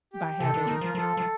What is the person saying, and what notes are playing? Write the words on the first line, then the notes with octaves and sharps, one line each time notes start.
by having,
G4
C3 A4
D3
D#3 A#4
F3
F3 A4
F3